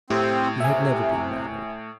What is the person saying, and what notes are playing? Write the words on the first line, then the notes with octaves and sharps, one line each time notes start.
He had never been married.
A2 C4 E4 G4
C3 E5 G#5